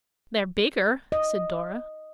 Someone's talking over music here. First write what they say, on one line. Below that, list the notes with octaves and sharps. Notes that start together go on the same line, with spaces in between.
"They're bigger," said Dora.
D#5